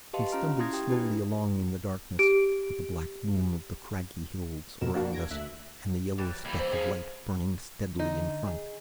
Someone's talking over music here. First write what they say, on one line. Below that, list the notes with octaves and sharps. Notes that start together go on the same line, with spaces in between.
We stumbled slowly along in the darkness, with the black loom of the craggy hills around us, and the yellow speck of light burning steadily in front.
G4 B4 D#5 F5 A5 C6
C#4 F4 A#5 F6 D7
E4 C6 D#6 G#6 A#6
G4 G5 D#6
D4 E4 B4
G4 D7
F2 B2 A#4 E7
A#3 D4 F#4
G#6 A#6 D7
D2 E5 F#6
E3 F#3 G3
D#2 E3 G3
C5
F2 C3 G#4 F5 G#5
D3 D#4
G#4